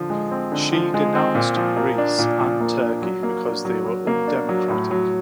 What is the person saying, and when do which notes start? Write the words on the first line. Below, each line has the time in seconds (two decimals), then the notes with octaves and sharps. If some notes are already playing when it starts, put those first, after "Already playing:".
She denounced Greece and Turkey because they were undemocratic.
Already playing: D3 F3
0.10 G#3
0.31 C4
0.52 D3
0.73 F3
0.94 G#3
1.15 C4
1.35 A#2
1.56 F3
1.77 A#3
1.98 D4
2.18 A#2
2.39 F3
2.61 A#3
2.82 D4
3.02 F#3
3.23 A#3
3.45 D4
3.65 F#3
3.86 F#3
4.07 A#3
4.27 D4
4.49 F#3
4.70 A2
4.91 F#3